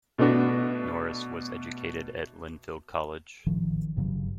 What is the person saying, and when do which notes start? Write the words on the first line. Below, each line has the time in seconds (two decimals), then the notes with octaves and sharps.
Norris was educated at Lynfield College.
0.18 B2 A3 B3 D4 F#4
3.46 A1 D#3 F3
3.96 G1 G2 C#3 F#3